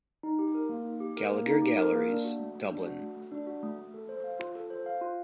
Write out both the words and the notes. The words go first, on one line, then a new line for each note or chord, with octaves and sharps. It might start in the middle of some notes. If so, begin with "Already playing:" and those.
Gallagher Galleries, Dublin.
D#4
G4
A#4
A#3
D#4
G4
A#4
A#3
D#4
G4
A#4
A#3
D4
F#4
A3
A3
D4
F#4
A3
A3
D4
F#4
A3
A3
A4
C5
F5
F4
A4
C5
F5
F4